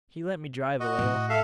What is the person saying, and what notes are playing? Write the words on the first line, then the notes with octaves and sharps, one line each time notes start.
He let me drive a little.
F#4 D#5
A2
A4 E5 F5